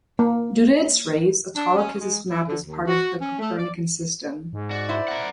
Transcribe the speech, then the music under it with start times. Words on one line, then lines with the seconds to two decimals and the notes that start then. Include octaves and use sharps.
Due to its rays, Autolycus is mapped as part of the Copernican System.
0.19 A#3
1.56 D4
1.75 C#4
1.99 G#3
2.30 E4
2.46 D3
2.65 D#2
2.87 F#4
3.19 C#4
3.39 A3
3.57 D5
4.53 G#2
4.71 F#4 D5
4.89 E4 C5
5.08 A#4 F#5